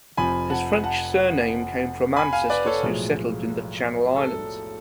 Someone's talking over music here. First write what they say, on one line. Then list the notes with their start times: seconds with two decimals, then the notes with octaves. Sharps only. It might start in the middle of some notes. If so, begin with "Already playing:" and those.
His French surname came from ancestors who settled in the Channel Islands.
0.17 F1 F2 F3 G#5 B5
0.50 F#5 A5
0.84 F#5 A5
2.16 G#5 B5
2.33 F5 G#5
2.50 B4 D5
2.66 A4 C#5
2.83 B1 A2 F3 G#3
4.16 A4